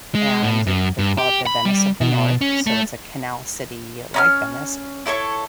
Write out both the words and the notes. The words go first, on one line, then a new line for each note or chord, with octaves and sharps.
and they call it the Venice of the North, so it's a canal city like Venice.
G#3
A2
F#2
G2
G4
B5
G3
B2
C#4
A3
C#4 A#5 F6
E4 A4 C#5 C#6